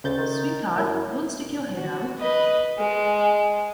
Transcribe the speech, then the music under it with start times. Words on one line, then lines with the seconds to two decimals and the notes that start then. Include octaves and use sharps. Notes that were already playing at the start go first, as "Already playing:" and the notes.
Sweetheart, don’t stick your head out.
0.04 D2 C#3 G6 A6
0.18 D#3
0.78 F#2 E4
1.74 F#4
2.20 B4 D#5
2.78 G#3